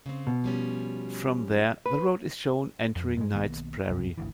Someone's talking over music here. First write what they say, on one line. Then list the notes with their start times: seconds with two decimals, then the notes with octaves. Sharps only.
From there, the road is shown entering Knight's Prairie.
0.06 C#3 C4
0.27 B2
0.44 F3 G3 C#4
1.86 A#3 B4
2.96 F2
3.17 G2 G#3
3.33 B1 D#3 A#3 B3
3.90 C#2 G2 C3
4.18 G#1 D2 E3